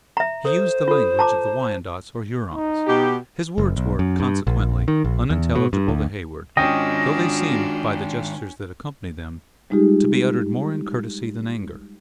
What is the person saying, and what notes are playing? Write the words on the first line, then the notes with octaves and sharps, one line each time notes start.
He used the language of the Wyandots, or Hurons; his words were, consequently, unintelligible to Heyward, though they seemed, by the gestures that accompanied them, to be uttered more in courtesy than anger.
E5 A#5
A4 C5
F4 A4
A5 A#5 D6
D#4
B2 G4
F#1
B1
F#2
G2
A#1
D#3
A#1
E2
B2
G2
D2
D#3 G#3 C#4 D4 F4 F#4 D#5 G5
G3 G#3 D#4 F4 G4 G#4